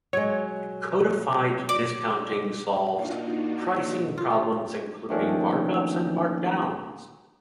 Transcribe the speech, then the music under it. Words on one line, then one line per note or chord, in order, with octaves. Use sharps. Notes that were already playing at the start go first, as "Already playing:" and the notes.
Codified discounting solves pricing problems including markups and markdowns.
F#3 G#3 C#5
D5 D6
A#3 D4 D#4 F4 F#4
F4
D#3 F3 A3 A#3 C#4 D4